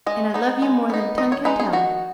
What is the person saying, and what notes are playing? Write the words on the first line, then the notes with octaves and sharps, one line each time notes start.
And I love you more than tongue can tell.
G#3 D#5
B3 D#4
G#3
B3 D#4
D#3 D#5
C#5
G#3 D#4 B4
G#4
D#3 F#4